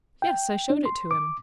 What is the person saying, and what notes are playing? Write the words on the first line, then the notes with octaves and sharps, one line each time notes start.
"Yes; I showed it to him."
G5
D4
C6
D6